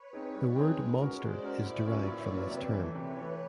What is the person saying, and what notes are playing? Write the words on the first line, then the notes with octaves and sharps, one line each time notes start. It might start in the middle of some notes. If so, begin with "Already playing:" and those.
The word monster is derived from this term.
Already playing: B4 C#5
C4 D#4 G#4
G3
C4 D#4 G#4
G#3
C#4 F#4 A#4
G#3 C5 D5
C#4 F#4 A#4
A2 D5 E5
F#3 A#3 C#4 F4
A2 B4 C#5
F#3 A#3 C#4 F4
C3
E3 A3
C3 B4 C#5
E3 A3